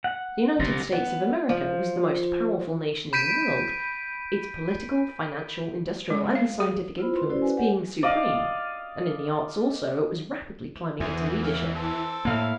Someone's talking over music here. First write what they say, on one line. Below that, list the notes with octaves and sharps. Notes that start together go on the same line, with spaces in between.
The United States of America was the most powerful nation in the world, its political, financial, industrial and scientific influence being supreme; and in the arts also it was rapidly climbing into leadership.
F#5
D3 G3 C4 A6 A#6
B3
F3
B5 G6 B6 D7 D#7
G#3
F5
G#4
E4 F4 C5 B5
B4 C6
C#4 E4 F#4 A4 C5 D5
B4 G#5
G4 B4 C#5 F#5 G#5
D5 D#5 F5
E2 E3 G#4 C5
C#5 E5 F5
C4 A4
A2 A#3 E4 F5